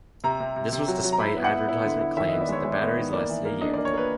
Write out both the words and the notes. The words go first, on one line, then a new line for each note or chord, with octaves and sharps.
This was despite advertisement claims that the batteries lasted a year.
C3 A#5
C3
C3
C3
F#3
F#3
A#5
E4 B5
B3
F#5
B3
E4
D3
E4
D#3 E5
B3 D#5
D5
G#3 C#5
G#3 C#5
D5
B3 C#5
D#3
A#3 D5
E3
A#3
D4 D#5
A#3 D5
C#5
A#3 B4